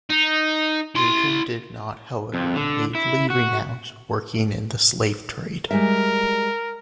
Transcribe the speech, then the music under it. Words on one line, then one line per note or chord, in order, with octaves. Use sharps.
Newton did not however immediately renounce working in the slave trade.
D#4
E4 C6
F2
D3
E4
F#4
G3 G#3 A#4 E5